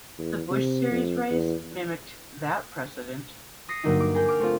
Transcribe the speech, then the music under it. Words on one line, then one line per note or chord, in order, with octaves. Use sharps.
The Busch Series race mimicked that precedent.
E2
C3
F2
E2
D#6 A#6 C7 C#7
G2 D3 F#3 A#3 D#4 E4
D6
G#4 A#4 G5
D6 F6 D7
A3 C4 F4